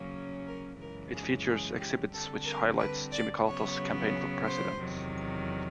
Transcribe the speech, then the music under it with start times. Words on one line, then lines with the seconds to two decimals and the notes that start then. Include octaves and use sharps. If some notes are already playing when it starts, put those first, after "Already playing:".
It features exhibits which highlight Jimmy Carter's campaign for President.
Already playing: C#3 F#3 A#3 C#4
0.47 A#4
0.80 F#2 C#3 E3 G#3 A#4
1.12 G#4
1.46 G#4
1.79 G4
2.12 D3 G3 C4 A4
2.45 A#4
2.78 B4
3.12 D5
3.45 C#3 F#3 B3 C#5
4.44 C5
4.77 E2 C3 D#3 F#3